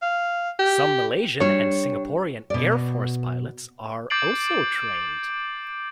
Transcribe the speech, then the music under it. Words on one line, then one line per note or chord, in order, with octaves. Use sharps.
Some Malaysian and Singaporean Air Force pilots are also trained.
F5
G4
G3 D4 C#5
B2 D5
D6 G6 A6 C7 D7 F#7